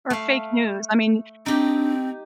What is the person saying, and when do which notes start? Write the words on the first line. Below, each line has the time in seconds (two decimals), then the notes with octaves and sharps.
Or fake news, I mean,
0.10 A3 F5
1.46 C4 D4 D#4 G4